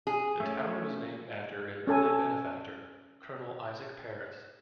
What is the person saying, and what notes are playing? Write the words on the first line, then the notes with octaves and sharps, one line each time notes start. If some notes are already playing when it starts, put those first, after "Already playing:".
The town was named after an early benefactor, Colonel Isaac Paris.
G#4
A3 C#4
C#4 A4 G#5